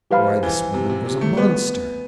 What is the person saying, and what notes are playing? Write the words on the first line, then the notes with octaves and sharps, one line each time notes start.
Why, this woman was a monster!
F3 G4 B4 F5 B5
E3
C3
C3
C3
A3
B3